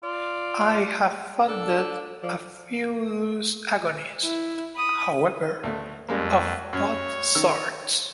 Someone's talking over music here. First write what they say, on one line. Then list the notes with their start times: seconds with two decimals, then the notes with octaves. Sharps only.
I have funded a few loose agonies, however, of both sorts.
0.03 F4 D5
1.48 D4 A4
2.23 F3 D5
4.24 E4
4.76 B5 D#6
5.63 D2 A3
6.08 F2 G3 G#3 A#3
6.73 F#2 C#5
7.35 D#3 E6